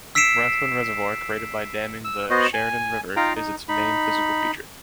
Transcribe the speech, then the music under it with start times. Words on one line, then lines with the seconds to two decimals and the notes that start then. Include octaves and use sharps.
Rathbun Reservoir, created by damming the Chariton River, is its main physical feature.
0.15 E6 B6 C7 D7 E7
2.04 E6
2.30 B3 F#4 C5 D#5
2.53 G#5
3.16 D#4 F4 F5 G5 A#5
3.36 D#4
3.69 D#4 B5